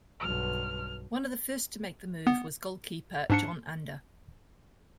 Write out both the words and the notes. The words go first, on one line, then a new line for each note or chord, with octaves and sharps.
One of the first to make the move was goalkeeper Jon Ander.
B1 G2 F6
B3
G#2 D4 C#7